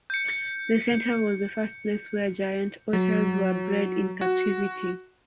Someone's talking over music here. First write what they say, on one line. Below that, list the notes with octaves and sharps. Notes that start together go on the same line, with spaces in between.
The centre was the first place where giant otters were bred in captivity.
G6 C#7
F#3
F#4